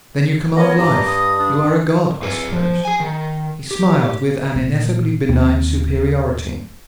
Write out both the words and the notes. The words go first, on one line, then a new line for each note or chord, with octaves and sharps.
"Then you command life; you are a god, I suppose?" He smiled with an ineffably benign superiority.
B3 A#4 C#5 D#5
G2 A#5 D6
D#6
D4
G#4 B4
F3
G#4 G#5
D#3
G4
A#2
D#2 C4